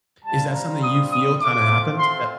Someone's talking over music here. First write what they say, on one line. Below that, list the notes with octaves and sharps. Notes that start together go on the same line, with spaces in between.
Is that something you feel kinda happened? Eh
G3 C4 F4 A5
A#5
D#6
D#6
A3 C4 F4 D6
C6